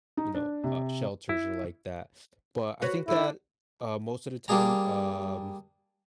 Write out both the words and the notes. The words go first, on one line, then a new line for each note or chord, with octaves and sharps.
you know, uh, shelters or like that, but I think that, uh, most of the time, um,
D#4
D4
C3
E4
F#4 B4 C#5
D3 D4 E4
G3 A#3 D4 G#4 A#5